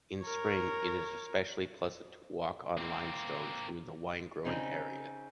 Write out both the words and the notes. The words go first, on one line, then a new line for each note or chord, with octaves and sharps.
In spring it is especially pleasant to walk on limestone through the wine-growing area.
A#4 C#5
A#3 C4
C#3 C4 C#4 D#4